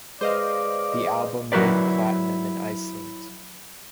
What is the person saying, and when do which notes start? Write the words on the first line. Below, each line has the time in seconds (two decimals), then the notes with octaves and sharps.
The album went platinum in Iceland.
0.21 G#3 G#4 B4 C5 D5 D#5 F5
1.52 F#3 E4 F#4 A#4 B4 D5